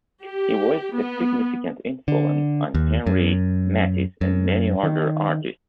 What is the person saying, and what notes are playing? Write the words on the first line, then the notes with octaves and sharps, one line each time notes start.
He was a significant influence on Henri Matisse and many other artists.
G4
B3
D3
D#2
F#2
F#2
D#3